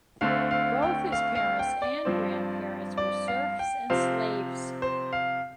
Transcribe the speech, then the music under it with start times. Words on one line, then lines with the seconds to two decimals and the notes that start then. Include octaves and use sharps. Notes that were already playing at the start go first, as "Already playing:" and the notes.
Both his parents and grandparents were serfs and slaves.
0.21 D2 D3 A3 C4 F5
0.51 F5
0.82 G5
1.12 F5
1.35 F5
1.59 G5
1.82 D5
2.05 G2 F3 C4
2.98 D5
3.28 F5
3.59 G5
3.90 C3 F3 C4 F5
4.82 C5
5.13 F5